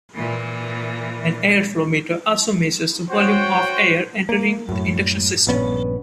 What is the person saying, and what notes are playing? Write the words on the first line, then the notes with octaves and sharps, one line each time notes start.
An air flow meter also measures the volume of air entering the induction system.
A#2 E3
F#4 C5 C#5 F#5 G5
A#3
F#2 A2
A#1 G2 B3 C#4